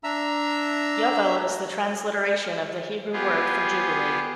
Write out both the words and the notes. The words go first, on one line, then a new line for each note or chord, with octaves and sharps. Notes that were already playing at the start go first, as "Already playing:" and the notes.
Yovel is the transliteration of the Hebrew word for Jubilee.
D4 E5 A#5 E6
B3 F4 G4 G#4